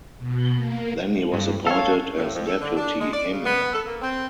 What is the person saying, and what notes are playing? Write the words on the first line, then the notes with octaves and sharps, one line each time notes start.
Then he was appointed as Deputy Emir.
B2
A#3
G2
A4 C#5 F5
A2
F2
A4
D3
D4
G#3
D5
C#3
B3
A4
A#3
C4